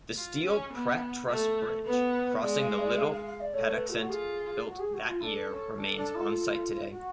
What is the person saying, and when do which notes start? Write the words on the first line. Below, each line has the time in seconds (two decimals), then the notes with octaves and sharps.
The steel Pratt-truss bridge crossing the Little Patuxent built that year remains onsite today.
0.17 F4
0.45 C#4
0.73 B3
1.29 A3
1.85 B3 B4
2.41 G#3 D5
2.60 F5
2.79 D5
2.97 F5
3.11 F5
3.25 F5
3.40 D5
3.53 A3 C#5
3.72 B4
3.88 F4
3.99 F#4
4.09 F4 G#4
4.65 F#4
4.79 G#4
4.94 F#4
5.08 F4
5.21 D4 A4
5.49 C#4
5.77 D4 A4
5.96 D4
6.15 F4
6.90 F#4